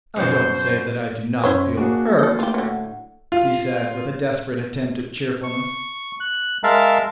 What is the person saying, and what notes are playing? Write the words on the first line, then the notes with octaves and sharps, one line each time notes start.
"I don't say that I do not feel hurt," he said, with a desperate attempt at cheerfulness.
F#2 B2 C5
F#2 E4 C5 C#5
A#3 D4 F#4 G#4
A4 D#5
A2 F4 G4
D3 F#3
F4
C#6
F#6
G#3 A#4 E5 F5 A5